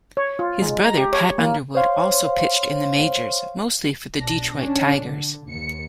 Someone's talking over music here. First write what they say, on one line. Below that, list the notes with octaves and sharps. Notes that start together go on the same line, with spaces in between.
His brother Pat Underwood also pitched in the majors, mostly for the Detroit Tigers.
C#5
F4
G#3
A#5
G4
C#5
A#3
C5 C#5 F5 C6
B1 D4 A#6
C#4 D4
D3
D#2 C#7